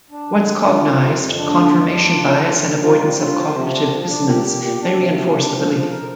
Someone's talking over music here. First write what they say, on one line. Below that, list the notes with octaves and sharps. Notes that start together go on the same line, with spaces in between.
Once cognized, confirmation bias and avoidance of cognitive dissonance may reinforce the belief.
D4
D3
G3
D3 F4
F3
F2 C3
F2
D3 D4
F4
F2
D4
F4
D4
G3
G3
F3 F4
G3
D3 F4
C5
C3 F3
D4
F3
D4
A#2 G4
G4
A#2 G4
D4
C3 F3
F3
D4
F3
F3
A#4